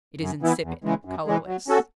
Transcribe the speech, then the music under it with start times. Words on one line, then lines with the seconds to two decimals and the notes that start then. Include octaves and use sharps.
It is insipid, colorless.
0.21 F#2
0.42 E3 B3 E4
0.63 E2
0.84 C#3 E3 G#3
1.05 F#2
1.26 E3 G#3
1.47 F#3
1.68 C#4 F#4 A4